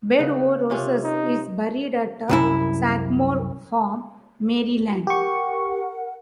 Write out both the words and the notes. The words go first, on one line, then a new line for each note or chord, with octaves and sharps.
Bed o' Roses is buried at Sagamore Farm, Maryland.
C#3 B3
C3 C#4 F4
D#4
C2 F#2 E4
G4 A#4 F#5 C#6